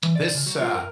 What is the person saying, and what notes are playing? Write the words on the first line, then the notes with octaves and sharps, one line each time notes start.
This, uh
E3
D5
C#3
F#3
F4
A#4